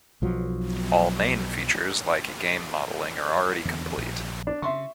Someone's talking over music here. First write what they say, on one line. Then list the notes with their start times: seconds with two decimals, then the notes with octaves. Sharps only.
All main features like game modeling are already complete.
0.22 B1 F3 F#3
3.65 E2 D3
3.97 A#1
4.47 D4
4.62 C#3 E5 C6 C#6